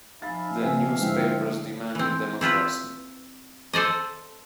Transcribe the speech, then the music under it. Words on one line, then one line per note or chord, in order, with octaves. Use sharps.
The newspapers demanded democracy.
F3 D#4 E5 F5 G#5 B5 A6
C#3 C4 G4 B4 G5 G#5
G#2 D3 E3 G#4 C5 G5
E3 C4
C4 E4 F4 B4
A4 C5 D5 D#5